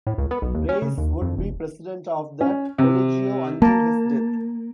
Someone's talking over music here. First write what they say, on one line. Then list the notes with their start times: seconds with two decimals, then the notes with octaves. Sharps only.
Reyes would be president of the "Colegio" until his death.
0.07 A2
0.18 C#2
0.31 B3
0.42 B1
0.54 D#2
0.69 C#4
0.82 C#3
0.98 D#2
1.22 F2
1.38 E1
2.41 C#4
2.78 C3
3.62 A#3 A5